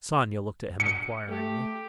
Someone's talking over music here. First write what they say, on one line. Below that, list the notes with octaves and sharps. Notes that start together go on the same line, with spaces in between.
Sonia looked at him inquiringly.
C#7
A3 G4